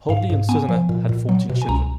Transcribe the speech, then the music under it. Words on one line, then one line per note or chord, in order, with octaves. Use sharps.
Hoadley and Susannah had fourteen children.
G#2 F5
G#2
B3 G#5
F3
A#2
A#2
F#3
B2
G#5
C#2 A#5